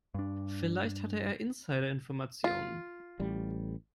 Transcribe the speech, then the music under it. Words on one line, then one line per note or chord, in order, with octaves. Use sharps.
Vielleicht hatte er Insiderinformationen.
G2 D4
F4
A1 G3